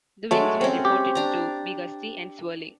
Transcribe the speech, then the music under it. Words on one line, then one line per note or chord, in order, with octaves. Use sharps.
The winds were reported to be gusty and swirling.
F#3 G#3 A3 D5
C4 C#4
G4
D4 A#5